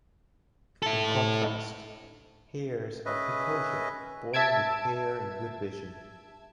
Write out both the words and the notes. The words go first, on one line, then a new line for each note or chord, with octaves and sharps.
In contrast, hares are precocial, born with hair and good vision.
E4 A4
C#4 G#4 B4 D#5 E5
E5 A5 E6 G#6 D7